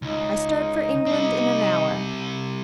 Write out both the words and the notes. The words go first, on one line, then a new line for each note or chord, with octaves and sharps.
"I start for England in an hour."
C#2 D#4
G3 C4